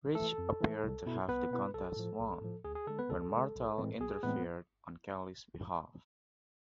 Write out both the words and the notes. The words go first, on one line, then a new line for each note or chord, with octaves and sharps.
Rich appeared to have the contest won, when Martel interfered on Kelly's behalf.
E3 A3 A4
F2
E3 A3
C2
B2 B3 E4
C2 B3 B4
B2 B3 E4
B1 A4
A2 F3
B1
A2 F3
D2 G#4
G#4
D3 G#3 A4
B3 B4
D2 A4
D3 G#3
B1
A2 E3 G#3 C4
B1 G#4
A2 E3 G#3 B3 C4 B4